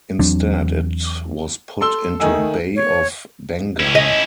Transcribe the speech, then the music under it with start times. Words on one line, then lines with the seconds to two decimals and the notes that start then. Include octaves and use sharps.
Instead it was put into Bay of Bengal.
0.19 E2 F#3 C4 D4
1.81 A4 C6 E6 G7
2.20 D#3 A3 D#4 G#5 E6
2.76 C#5
3.80 C#4 E4
3.95 D#5